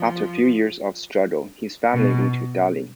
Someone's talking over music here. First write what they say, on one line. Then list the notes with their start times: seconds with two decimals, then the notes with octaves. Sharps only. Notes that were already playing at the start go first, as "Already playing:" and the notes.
After a few years of struggle, his family moved to Delhi.
Already playing: F3
1.93 B2